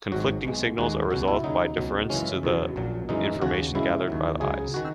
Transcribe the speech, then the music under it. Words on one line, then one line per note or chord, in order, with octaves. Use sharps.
Conflicting signals are resolved by deference to the information gathered by the eyes.
G#1 G#2 F#3 F#4
B1 B2 G#3
D#2 D#3 G#3 F#4
C#2 B2 F#3 F#4
E4
D#2 C#3 F#3 D#4
C#2 B2 F#3
F#2 C#3 E3 G#3 C#4
E2 B2 F#3
A#1 A#2 F#3
F#2 E3 G#3 D#4
D#2 C#3 F#3 F#4
F#2 C#3 G#3 E4
D#2 D#3 F#3
C#2 C#3 F#3 G#4
D#3 F#4